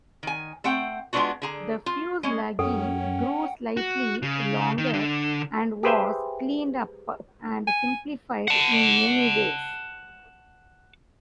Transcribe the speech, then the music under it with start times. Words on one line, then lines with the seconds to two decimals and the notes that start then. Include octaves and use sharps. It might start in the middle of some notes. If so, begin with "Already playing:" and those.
The fuselage grew slightly longer, and was cleaned up and simplified in many ways.
0.23 D#3 G#5
0.64 A3 C4 F#5 G5
1.13 G#3 B3 C4 D4 F4 F#4
1.42 D3 G#4 A#5
1.86 F4
2.23 G#3 C#4
2.59 F#2 C#4 A4 F#5 G5
3.77 F#4
4.23 C#3
4.78 D#3
4.93 D3
5.83 G4 G#4 B4 C5 E5 G5
7.67 G#5
8.48 F#5 A5